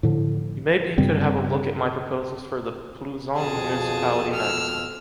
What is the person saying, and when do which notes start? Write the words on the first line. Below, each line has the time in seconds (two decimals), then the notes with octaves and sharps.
You may be could have a look at my proposals for the Plouzane municipality magazine.
0.03 A2 D3 F3
0.98 G2 C#3 G3 C4
3.36 F2 B2 F3 G#4 A5
4.34 E6 F6